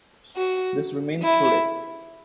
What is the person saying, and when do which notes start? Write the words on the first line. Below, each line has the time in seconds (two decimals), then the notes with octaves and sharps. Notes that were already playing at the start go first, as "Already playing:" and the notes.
This remains today.
0.36 F#4
1.22 E4